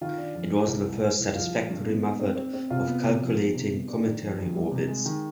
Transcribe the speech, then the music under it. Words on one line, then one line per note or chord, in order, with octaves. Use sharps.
It was the first satisfactory method of calculating cometary orbits.
D#3 F4
D4
F2
G#3
C2
G#3
G#3
C2
F3 F4
G#3
G2
B3
G#2
C4
C4
C4
C3 F4
B3
C3
F3
B3
C3
B3
D4
D#3
F2
F2
G3
C3
G#3
D#3